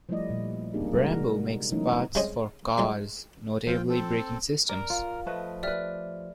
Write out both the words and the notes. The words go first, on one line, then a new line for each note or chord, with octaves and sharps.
Brembo makes parts for cars, notably braking systems.
F3 G3 A3 E4 D5 D#5
A#2 G3
A#3 C4 D4 D#4 G4 G#4
C3 G3 G#3 F#4 A#4
E3 F#3 A3 A#3 C#4 D#4
C3 G#3 C#4 C#5 D#5 G#5
F#3 G#3 F4
F3 C4 F4 G5
C4 A4
A#4 D5
F4
F3 A3 B4 D#5
G4 B4 D5 E5 F6